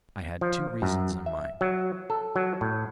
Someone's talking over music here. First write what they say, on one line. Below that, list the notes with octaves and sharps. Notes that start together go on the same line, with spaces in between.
I had two reasons in mind.
F3
F#2
E5
F#3
A4
F#3
A2